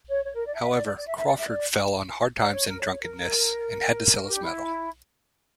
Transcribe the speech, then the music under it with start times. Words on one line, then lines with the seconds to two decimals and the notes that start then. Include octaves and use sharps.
However, Crawford fell on hard times and drunkenness, and had to sell his medal.
0.09 C#5
0.25 C#5
0.35 A#4
0.46 D5
0.55 E5
0.71 D5
0.86 D5
0.97 D5
1.07 E5
1.18 E5
1.27 D5
1.38 E5
1.48 D5
2.41 D5
2.54 C#5
2.67 A#4
2.81 C#5
3.02 A#4
4.26 G4
4.35 D4
4.41 E4